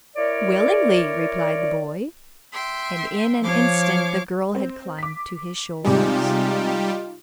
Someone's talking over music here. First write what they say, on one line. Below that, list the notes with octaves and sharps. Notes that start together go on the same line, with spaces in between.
'Willingly,' replied the boy, and in an instant the girl had climbed to his shoulders.
E4 A#4 C#5 D5
E5 G5 C6
F3 C#5 F5 D6
C4
D6 B6
C3 G3 G#3 D#4 F4 G4